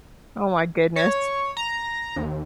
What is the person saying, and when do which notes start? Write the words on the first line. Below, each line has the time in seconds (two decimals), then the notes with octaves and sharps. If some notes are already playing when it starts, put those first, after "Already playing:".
Oh, my goodness!
0.96 C#5
1.57 A#5
2.16 D#2